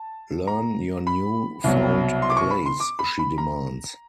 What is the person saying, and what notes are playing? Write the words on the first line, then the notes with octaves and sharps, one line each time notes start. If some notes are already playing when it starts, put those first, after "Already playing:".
"Learn your new-found place," she demands.
Already playing: A5
A#5
B5
C2 B2 F#3
C6
D6
C#6
B5
C6
D6
B5
B5
A#5